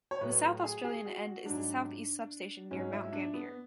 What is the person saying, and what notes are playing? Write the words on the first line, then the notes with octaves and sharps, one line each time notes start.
The South Australian end is the South East substation near Mount Gambier.
C#5
A2 F#3 B4
G#4
G#4
F#4
F#4
G#2 F#3 D4
G#2 F#3 C#4
E4
D4
B3